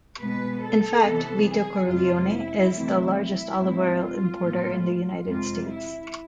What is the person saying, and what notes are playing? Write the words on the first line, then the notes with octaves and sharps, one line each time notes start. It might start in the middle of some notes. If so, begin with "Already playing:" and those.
In fact, Vito Corleone is the largest olive oil importer in the United States.
B2 G#3 B3 B4
A4
C3 E3 B3
G#4
F2 C3 F3 G#3 F4
E4
C3 E3 A3 C4
E4
A2 G#3 C4
F4
A2 G#3 B3
F2 C3 G#3 F4
E4